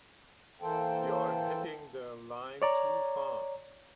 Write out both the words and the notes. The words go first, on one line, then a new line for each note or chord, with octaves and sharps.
You're hitting the line too fast!
E3 A#3 A4 C5 G5
C#5 D5 A#5